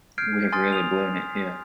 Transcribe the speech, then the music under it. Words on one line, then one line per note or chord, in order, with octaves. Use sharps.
We have really blown it here.
F6 G6 G#6 C7 D7
G#5 C6 D#6 F6 A6
D#6 F7